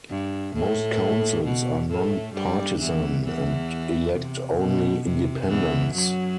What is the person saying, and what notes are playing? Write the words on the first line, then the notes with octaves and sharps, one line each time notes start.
Most councils are non-partisan and elect only independents.
G2
A2
B2
A2 A3
G2 G3
E2 E3
E2 E3
C3
B2
C3
E2 E3
F#2 F#3